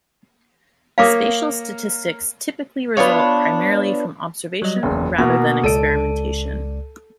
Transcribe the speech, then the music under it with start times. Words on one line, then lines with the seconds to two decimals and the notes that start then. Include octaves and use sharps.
Spatial statistics typically result primarily from observation rather than experimentation.
0.98 A#3 A#4 C#5 F5 D6 D#6
2.97 B3 D4 F4 C#5
4.62 F#3 G3 D#5
4.83 F#1 E2 B4
5.18 B2 A#3 F#4 A#5
5.64 C#2 A4 D5 D7 D#7